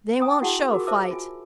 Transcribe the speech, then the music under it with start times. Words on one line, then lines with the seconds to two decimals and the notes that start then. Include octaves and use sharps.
They won't show fight.
0.20 G5 G#5 A#5 D#6
0.42 E4 F#4 G#4 F#5 G#5 A5
0.70 F4 F#4 G#4 A#4 D6
0.87 F4 C5 E5 A5 D6 E6
1.11 F4 G#5